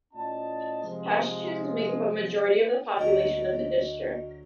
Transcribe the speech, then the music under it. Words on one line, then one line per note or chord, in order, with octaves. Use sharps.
Pashtuns make up majority of the population of the district.
A2 C#4 F4 D5 D#5 A5
C3 F3 G#3
D2 F#3 A#4 D#5